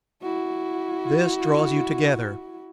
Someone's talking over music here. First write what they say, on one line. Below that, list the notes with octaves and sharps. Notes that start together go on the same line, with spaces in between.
This draws you together.
E4 F#4